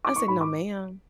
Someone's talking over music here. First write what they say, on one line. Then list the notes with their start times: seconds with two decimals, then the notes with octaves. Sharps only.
I said, "No, ma'am."
0.05 D6
0.16 C#6
0.28 G#2 B5
0.41 D6